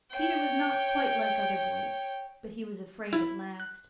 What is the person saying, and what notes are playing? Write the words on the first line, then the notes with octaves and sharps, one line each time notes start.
Peter was not quite like other boys; but he was afraid at last.
C#5 G5
E4
F#6